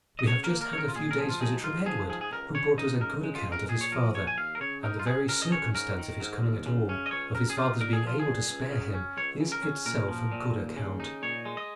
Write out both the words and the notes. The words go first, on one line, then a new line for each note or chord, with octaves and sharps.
We have just had a few days' visit from Edward, who brought us a good account of his father, and the very circumstance of his coming at all, of his father's being able to spare him, is itself a good account.
D#5
C#3 C#5
A#4
A#3
A#4
C#3 C#5
A#4
F4
A#2 G#4
A#4
F3 G#4
F4
D#4 G#4
G#2 F4
F3 G#4
G#2 G#4
G#4
C#2 A#4
C#3 C#5
D#4 D#5
C#3 A#4
G#3
F4
C#3
A#4
A#2 G#4
C#5
F3 A#4
A#2 C#5
G#5
D#2 F5
A#4
C#3 C#5
D#4 A#4
F4
C#2 G#4
C#3 A#4
D#5
C#4 C#5
G#2 A#4
D#3
G#2
D#2
C#3
C#4
D#5
C#2 C#5
C#3 A#4
G#4
D#4 F4
A#2 A#4
G#4
F3 F4
G#4
A#2
C#2
C#3
C#4
C#2 C#5
C#3
A#4
C#4
A#2 A#4
F3
A#2
D#2
C#3
D#4
A#2 C#5
G#3
D#5